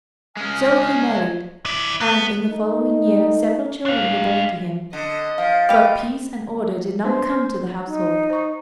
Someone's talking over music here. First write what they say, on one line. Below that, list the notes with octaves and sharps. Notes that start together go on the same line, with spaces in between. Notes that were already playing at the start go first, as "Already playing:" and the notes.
So he married, and in the following years several children were born to him; but peace and order did not come to the household.
G#3 C#4 G#5 F6
E4 D5
B3
A3 D#4
D4 F5
D3 D#5
F3 F5
G4 D#5 F5 B5
B3 D4 B4 C5
D#4
C5 C#6